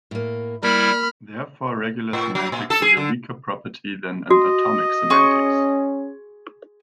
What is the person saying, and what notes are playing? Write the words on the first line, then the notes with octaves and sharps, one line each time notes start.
Therefore, regular semantics is a weaker property than an atomic semantics.
A2 A#3
G3 A#3 E4 B5 F6
A2
F#3
A#2
A4
G#4
D3
F#4 D#5
C#4 G#4 C6 C#6